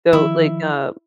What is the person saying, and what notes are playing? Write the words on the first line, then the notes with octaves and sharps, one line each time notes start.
So, like, uh,
D#3 F3 E4